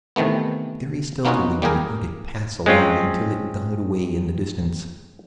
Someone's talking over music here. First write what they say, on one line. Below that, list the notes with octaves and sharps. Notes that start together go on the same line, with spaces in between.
Very stealthily we heard it pass along until it died away in the distance.
C3 D#3 E3 A3 B3
A#3 B3 C#4 D#4 F4 F#4
G3 A#3 G4 G#4 A#4
G#3 C4 C#4 F4